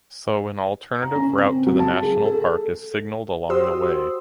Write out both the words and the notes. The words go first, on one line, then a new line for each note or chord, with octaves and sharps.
So an alternative route to the national park is signaled along the way.
A#5
C#4
C4
F#3
A5
G#4
A4
F#4 G4 C5 C6 D#6 E6